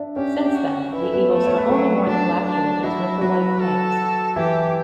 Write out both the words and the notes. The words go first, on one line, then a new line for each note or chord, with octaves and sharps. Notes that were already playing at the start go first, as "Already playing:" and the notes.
Since then, the Eagles have only worn the black jerseys with the white pants.
Already playing: D4 D5 E5
C#4 G4 C#5
F#4
E4 B4
A4
B3 B4
A3
C#5
B4
F#3 A3 A4
F#3 D4 F#4
D4
F#3 E4 F#4
F#3 F#4 B4
A4
E3 E4 G4